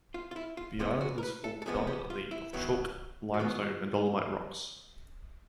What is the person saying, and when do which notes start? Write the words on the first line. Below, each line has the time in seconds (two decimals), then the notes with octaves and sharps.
The island is formed predominantly of chalk limestone and dolomite rocks.
0.14 F4
0.31 F4
0.36 E4
0.57 F4
0.79 D2 C3 F3 G#3 B3 F4
1.01 F#4
1.18 A#4
1.23 B4
1.44 A4
1.62 A4
1.66 D2 C3 F3 G#3 B3 G#4
1.87 G4
2.10 F4
2.31 E4
2.53 F#2 D#3 F#3 B3
3.34 F#4
3.40 F#2 D#3 F#3 B3 F4